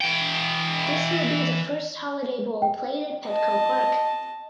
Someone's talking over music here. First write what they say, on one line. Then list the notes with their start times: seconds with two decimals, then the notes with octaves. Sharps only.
This will be the first Holiday Bowl played at Petco Park.
0.01 E3 G5
2.62 G5
3.28 D#5 A5